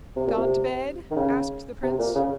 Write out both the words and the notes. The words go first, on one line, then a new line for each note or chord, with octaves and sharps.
"Gone to bed?" asked the prince.
C3
A#2
C3
D#3
C#3
C3
A#2
C#3